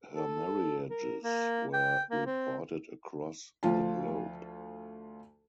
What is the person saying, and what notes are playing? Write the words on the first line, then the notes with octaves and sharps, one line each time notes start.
Her marriages were reported across the globe.
A4
A#4
A#3
G5
A#3
C4
D2 F3 F4 A5